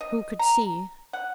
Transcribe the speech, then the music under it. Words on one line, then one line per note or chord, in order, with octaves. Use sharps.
Who could see?
D#5
A#5
F#5